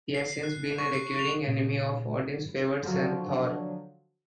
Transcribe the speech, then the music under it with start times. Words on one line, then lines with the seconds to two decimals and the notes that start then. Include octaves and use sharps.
He has since been a recurring enemy of Odin's favored son, Thor.
0.14 C7
0.28 C7
0.43 F#6
0.55 C7
0.78 C#6
0.93 C7
1.19 F7
1.47 A#2
2.83 D3 F3 F#3